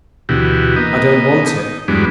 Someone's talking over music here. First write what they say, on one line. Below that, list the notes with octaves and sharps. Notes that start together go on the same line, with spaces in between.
I don't want it.
D2 B2 E3 F#4 G4
A#3 B3 D#5
D#4
E2 G2 F#3 G#3 B3 D4